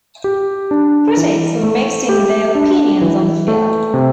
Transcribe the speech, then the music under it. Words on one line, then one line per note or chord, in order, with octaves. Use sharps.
Critics were mixed in their opinions on the film.
G4
D4
E3
A3
G4
D4
E3
A3
C3